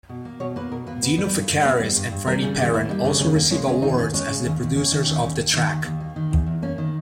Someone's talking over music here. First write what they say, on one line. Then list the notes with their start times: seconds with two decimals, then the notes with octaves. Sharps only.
Dino Fekaris and Freddie Perren also received awards as the producers of the track.
0.09 B2
0.25 A#3
0.40 B2 C#5
0.56 A#3 B4
0.71 B2 A#4
0.87 A#3 B4
1.03 B3 B4
1.18 G3
1.34 G2
1.50 G2
1.65 B3
1.80 G3
1.96 G2
2.12 G2
2.27 G3 A#4
2.42 C#3 G#4
2.58 D#2 G4
2.74 A#3 E4
2.89 G3 D#4
3.04 C#3 C#4
3.20 D#2 C#4
3.36 A#3
3.51 G#3 C#4
3.67 C#3 C#4
3.82 D#2 D#4
3.98 D#2 C#4
4.14 G#3 C#4
4.29 C#3
4.45 D#2
4.60 D#2
4.76 A#3 C#4
4.92 D#3
5.07 D#2
5.22 D#2
5.38 A#3
5.53 D#3
5.69 D#2
5.85 D#2
6.00 A#3
6.16 D#3
6.31 E2
6.46 E2
6.62 A#3 C#4
6.78 D#3